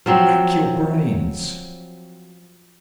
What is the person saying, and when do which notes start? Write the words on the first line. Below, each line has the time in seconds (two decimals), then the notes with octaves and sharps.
Rack your brains!
0.06 F3 F#3 C4